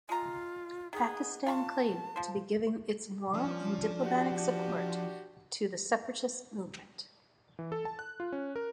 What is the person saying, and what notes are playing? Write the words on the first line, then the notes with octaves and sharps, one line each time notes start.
Pakistan claimed to be giving its "moral and diplomatic" support to the separatist movement.
G#3 F4 A#5
D#3 B3 G#4
F4 A5 B5 C#6
F3 C5
F3 C#4 D4
F#4 G4
E3
A4
A5
F#6
F4
C#4
A#4